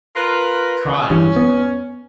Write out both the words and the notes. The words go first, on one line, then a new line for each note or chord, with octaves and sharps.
crimes, you know,
F4 A#4 B4
G2 E3 C#4
B3